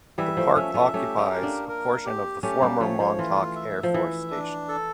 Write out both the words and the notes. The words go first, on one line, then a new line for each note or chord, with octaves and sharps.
The park occupies a portion of the former Montauk Air Force Station.
E3 G3 E5
F3 A3
A3 C#4 E5
A3 C#4
A3 C#4 G4
A3 C#4
A#4
A#3 D4
A#4
G4
A3 C#4 G4
G3 A#3
F3 A3 C#5
F3
E3 F4
E5
F3
E3 E5
D4
A4